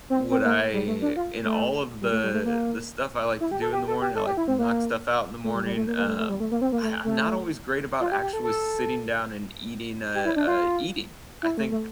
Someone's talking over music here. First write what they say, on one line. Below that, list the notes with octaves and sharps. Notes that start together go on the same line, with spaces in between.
would I in all of the the stuff I like to do in the morning, I like to knock stuff out in the morning, um I I'm not always great about actually sitting down and eating, uh uh eating! I think,
C4
C4
A#3
G3
A3
D4
F4
A3
G3
A3
G3
A3
A#3
E4
G4
A4
G4
A4
G4
A4
G4
E4
C4
A#3
A3
G3
G3
A3
A#3
A#3
A3
A3
G3
A3
A#3
C4
A#3
A3
A3
F4
G4
G4
A4
A4
G4
E4
D4
F4
E4
A3
A3